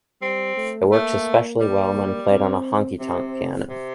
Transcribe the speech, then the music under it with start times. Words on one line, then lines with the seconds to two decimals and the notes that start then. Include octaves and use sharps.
It works especially well when played on a "Honky tonk" piano.
0.21 G3 C4
0.57 A3
0.92 A3 A#3
1.60 G3 A#3
2.30 C4
3.00 C3 C4
3.69 C3